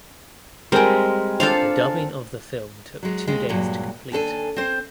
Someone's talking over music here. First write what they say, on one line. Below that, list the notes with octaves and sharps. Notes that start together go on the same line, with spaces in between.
The dubbing of the film took two days to complete.
G3 G#3 C4 A#4 C5 G5 G#5
D4 F4 A4 C5 F5
F#3 G#3
D#2 G#3
G2 A#2 F#3 G#3
D#2 D4 A4 G#5
C4 C5